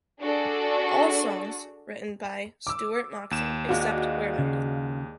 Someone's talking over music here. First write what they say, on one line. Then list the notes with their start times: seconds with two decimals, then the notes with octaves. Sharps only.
All songs written by Stuart Moxham, except where noted.
0.22 D4 F#4 G#4 A4 D5
2.67 D6 E6
3.31 D#2 E7
3.69 G#3 D4 F4 F#4
4.39 C#3